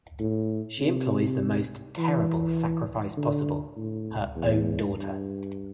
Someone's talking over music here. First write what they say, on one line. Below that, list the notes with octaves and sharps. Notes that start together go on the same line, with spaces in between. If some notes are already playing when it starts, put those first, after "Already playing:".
She employs the most terrible sacrifice possible: her own daughter.
A2
C3
E3
D3
A2
E2
G2